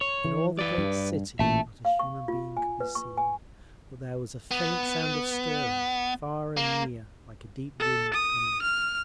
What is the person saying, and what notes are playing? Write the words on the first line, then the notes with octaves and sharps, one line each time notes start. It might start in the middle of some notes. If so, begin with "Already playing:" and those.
In all the great city not a human being could be seen; but there was a faint sound of stirring, far and near, like a deep wind coming.
C#5
E3
B4 D5
G2
A1 A#2 E5 A5
F5
C#6
F4
G#5
B4
C#6
G#5
B3
A#3
A4
D#6
F6